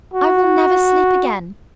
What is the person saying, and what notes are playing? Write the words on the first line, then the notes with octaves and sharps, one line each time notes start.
I will never sleep again.
F#4